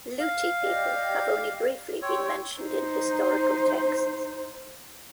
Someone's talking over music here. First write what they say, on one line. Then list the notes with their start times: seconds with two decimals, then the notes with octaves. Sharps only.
Luti people have only briefly been mentioned in historical texts.
0.20 F5
0.62 G4 D5 D#5
2.02 C#5 G5 C6 E6
2.60 D#4 C5